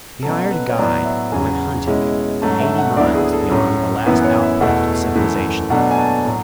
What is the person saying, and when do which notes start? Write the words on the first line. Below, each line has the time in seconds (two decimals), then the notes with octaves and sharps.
He hired a guide and went hunting, eighty miles beyond the last outpost of civilization.
0.23 B2 F#3 C#4 A4
0.51 B4
0.69 C#5
0.78 A2 F#3 B3 E4 D5
1.05 E5
1.32 E2 C#3 F#3 C#4 G#5
1.87 B2 G#3 C#4 E4
2.42 G#2 F#3 A3 C#4 A5
2.60 E5
2.78 F#5
2.97 D2 D3 F#3 B3 E4 D5
3.15 G#4
3.33 A4
3.51 A2 F#3 C#4
4.06 F#2 E3 B3 E4 B4
4.24 C#5
4.43 E5
4.61 E2 B2 A3 E4 F#5
5.16 F#2 E3 A3
5.70 B2 F#3 A3 D4 F#5
5.91 G#5
5.98 A5
6.25 A2 F#3